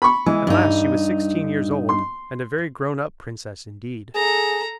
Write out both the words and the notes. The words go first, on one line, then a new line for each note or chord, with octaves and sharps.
At last she was sixteen years old and a very grown-up princess indeed.
B5 C#6
E3 G#3
G2 D#4
C6
G#4 A4 A#5